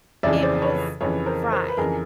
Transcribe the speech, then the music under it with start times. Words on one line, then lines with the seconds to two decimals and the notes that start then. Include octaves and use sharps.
it was fried.
0.23 F2 C#3 E3 D5 E5
0.42 C5 D5
0.62 B4 C#5
1.01 F2 C#3 E3 B4 C#5
1.26 A#4 C5
1.52 A#4 C5
1.68 B4
1.77 F2 C#3 E3 G#4 A#4